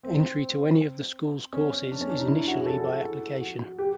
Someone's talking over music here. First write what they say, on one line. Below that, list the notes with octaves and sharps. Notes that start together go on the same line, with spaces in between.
Entry to any of the school's courses is initially by application.
C4
C#4
D4
C#4
D4
D#4
E4
E4
F#4
G#4
A4
F#4
G4